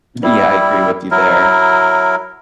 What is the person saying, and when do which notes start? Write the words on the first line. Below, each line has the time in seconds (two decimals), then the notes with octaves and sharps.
Yeah, I agree with you there.
0.23 G3 E4
1.11 F#3 E4 A#4